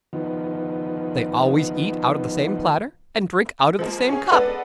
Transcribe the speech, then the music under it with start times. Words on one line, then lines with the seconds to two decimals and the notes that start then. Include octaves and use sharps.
They always eat out of the same platter, and drink out of the same cup.
0.13 D#3 F3 B3
3.79 F3 G#3 A#3
4.09 C#4 G#4
4.31 G#3 B3 D4 A4 B4 D5